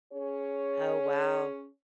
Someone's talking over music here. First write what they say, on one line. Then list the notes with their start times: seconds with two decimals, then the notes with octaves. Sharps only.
Oh, wow.
0.12 C#4 G#4 C#5